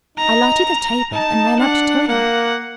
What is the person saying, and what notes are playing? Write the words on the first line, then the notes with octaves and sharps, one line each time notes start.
I lighted the taper, and ran up to tell you.
D#4 A#5
D#4 A5
D4 F#5
A#3 F#5